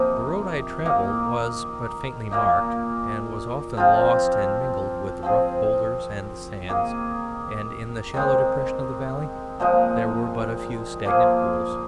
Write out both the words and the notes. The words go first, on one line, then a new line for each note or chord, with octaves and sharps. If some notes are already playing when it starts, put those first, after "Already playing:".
The road I travelled was but faintly marked, and was often lost and mingled with the rough boulders and the sand, and in the shallow depression of the valley there were but a few stagnant pools.
Already playing: C3 F3 A#3 D#4
D#3 A#3 D#4
A#2 A#3 D#4
F3 C4 F4
F3 C4 G#4
D#3 A#3 G#4
D#3 G#3 C4
A#2 F3 G#3 D#4
F3 A#3 F4 G#4